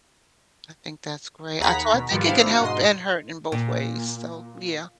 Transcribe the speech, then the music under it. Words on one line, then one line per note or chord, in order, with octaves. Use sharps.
I think that's great. I So I think it can help and hurt in both ways. So, yeah.
D#2 G#4 F#5 A#5 B5 B6
B2
G#2 D#3 F3 G3 B3
B3 D4 E4 C5 F5
F#4
G#2 B2 D#5 C6
A#2